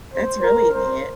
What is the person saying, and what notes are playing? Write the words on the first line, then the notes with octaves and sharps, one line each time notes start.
That's really neat.
C5
A#4
C5